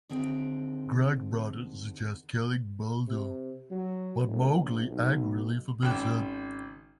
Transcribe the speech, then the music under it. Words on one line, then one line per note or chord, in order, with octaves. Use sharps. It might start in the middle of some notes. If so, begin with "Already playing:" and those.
Grey Brother suggests killing Buldeo, but Mowgli angrily forbids him.
D#2 D3 C4 G#4 G5
C3
F#3
E1
A#1
B1
G#1 C#3 G5 E7